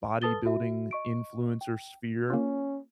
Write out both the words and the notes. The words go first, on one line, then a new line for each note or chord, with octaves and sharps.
bodybuilding influencer sphere
A4 B4 A5 D#6 A6 G7
F#4 E5
D#5 C#6 D7
G5
A#3 C#4 F4